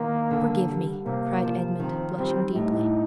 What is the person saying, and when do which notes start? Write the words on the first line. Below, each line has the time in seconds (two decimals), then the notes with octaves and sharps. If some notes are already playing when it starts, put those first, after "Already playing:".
"Forgive me!" cried Edmond, blushing deeply.
Already playing: D#3 A#3
0.31 D3
0.69 G3
1.06 C3 A#3
1.43 F3
1.80 D#3 C4
2.18 G3 C4
2.55 A2 D#4